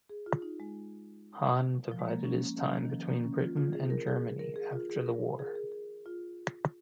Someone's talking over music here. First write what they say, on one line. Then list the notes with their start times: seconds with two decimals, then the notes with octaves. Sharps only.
Hahn divided his time between Britain and Germany after the war.
0.10 G#4
0.26 F4
0.42 D#4
0.60 G#3
1.91 F3
1.99 G#3
2.08 A#3
2.24 C#4
2.41 A#3
2.58 C#4
2.74 A#3
2.85 D#3
2.90 F3
3.08 A#3
3.24 C#4
3.40 F4
3.57 F4
3.73 G#4
3.90 A#4
4.07 G#4
4.39 A#4
4.56 G#4
4.72 F4
4.90 G#4
5.06 A#4
5.39 G#4
5.46 A#4
5.56 G#4
5.72 G#4
6.06 F4